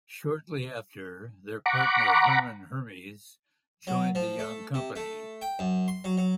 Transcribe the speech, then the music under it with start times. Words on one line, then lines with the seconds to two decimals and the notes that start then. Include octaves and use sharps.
Shortly after, their partner Hermann Hermes joined the young company.
1.66 F#5 A#5 B5 C#6 D6
3.87 F#3
4.15 F3
4.39 A3
4.74 C3
4.96 A3
5.42 G5
5.59 F#2
5.88 C6
6.04 F#3
6.18 F#3